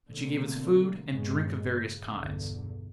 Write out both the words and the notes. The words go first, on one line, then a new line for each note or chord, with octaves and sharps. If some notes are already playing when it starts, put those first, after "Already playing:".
And she gave us food and drink of various kinds.
B2 D3 A3 A#3 C4
G2 A#2 C#3 G#3 B3 C#4
C#3
B1 E2 G2 D3